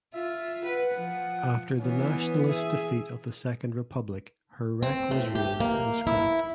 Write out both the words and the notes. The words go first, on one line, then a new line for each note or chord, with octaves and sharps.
After the Nationalist defeat of the Second Republic her wreck was raised and scrapped.
F4 E5
B4 F#5
F3
E3 B3 C#4
G#4 E5
C4
A2
G4
A#3
E4